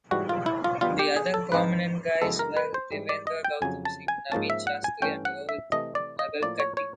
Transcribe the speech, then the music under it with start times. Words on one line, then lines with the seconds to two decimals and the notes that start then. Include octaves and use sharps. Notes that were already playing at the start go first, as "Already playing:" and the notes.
The other prominent guys were Devendra Gautam Singh, Naveen Shastri and Rohit Nagarkatti.
0.11 G#2 E3 G3 F#4
0.29 F4
0.46 E4
0.64 F4
0.81 B2 G3 B3 F4
0.99 G4
1.17 G#4
1.34 A4
1.52 G#2 E3 G#3 C4 D#4 B4
2.22 F#2 C#3 E3 G#3 B3 A4
2.39 A#4
2.57 B4
2.74 C5
2.92 G#2 E3 G3
3.09 D5
3.27 D#5
3.45 G5
3.62 F2 C#3 F#3 G#5
3.85 A5
4.08 G#5
4.32 G#2 F3 A#3 C#4 A5
4.50 E5
4.67 F#5
4.84 G#5
5.02 G2 E3 A3 C#4 G5
5.25 F#5
5.49 E5
5.72 C3 E3 A3 D#5
5.95 D5
6.19 D#5
6.42 A2 F3 A#3 D5
6.60 C#5
6.77 C#5